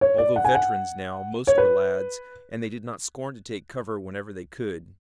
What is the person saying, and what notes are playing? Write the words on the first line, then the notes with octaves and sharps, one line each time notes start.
Although veterans now, most were lads, and they did not scorn to take cover whenever they could.
C#5
D5
F#5
G#5
F#5
C#5
B4